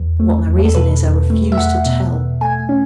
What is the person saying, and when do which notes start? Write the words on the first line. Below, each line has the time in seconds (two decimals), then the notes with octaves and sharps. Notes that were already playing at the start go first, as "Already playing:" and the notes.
What my reason is, I refuse to tell.
Already playing: E2
0.20 A3
0.47 E2
0.65 A4
0.74 B2 B4
1.02 E2
1.30 A3
1.52 E5
1.57 E2 F#5
1.86 B2
2.13 E2
2.41 A3 G#5
2.69 C#4